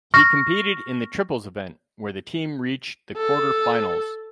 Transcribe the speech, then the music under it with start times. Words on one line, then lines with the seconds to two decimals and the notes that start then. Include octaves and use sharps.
He competed in the triples event where the team reached the quarter finals.
0.14 C#6 F6 A#6
3.17 A4